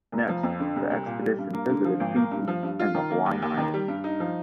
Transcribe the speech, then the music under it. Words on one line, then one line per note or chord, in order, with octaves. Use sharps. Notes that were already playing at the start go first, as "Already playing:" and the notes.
Next the expedition visited Fiji and the Hawaiian Islands.
F1
F3
F2
D3
C2
C2
A#2
G3
G2
A#3
D3
F3
G#1
A#3
G2
F3
G2
F4
D#3
A#3
D#2
D#2
D#3
G3
G2
D#4
F3